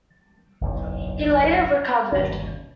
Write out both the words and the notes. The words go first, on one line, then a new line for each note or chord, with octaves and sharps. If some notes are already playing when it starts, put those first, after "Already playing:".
He later recovered.
F#1 B1 E2
G1 D#2 B2 C#4